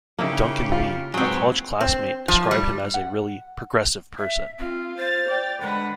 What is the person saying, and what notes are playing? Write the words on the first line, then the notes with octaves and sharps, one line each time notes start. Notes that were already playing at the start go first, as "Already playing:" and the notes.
Duncan Lee, a college classmate, described him as a really "progressive person".
C#3 A#3 D#4 E4 G4
F4
G#2 F#3 B3 C4 G#4
C4
F3
G3
F#5
E5
C4 F4
C5 F6 A6
D5 G5
D3 G#3 B4 F#5